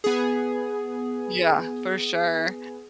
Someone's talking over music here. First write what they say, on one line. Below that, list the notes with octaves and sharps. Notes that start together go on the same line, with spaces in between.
Yeah, for sure.
B3 G#4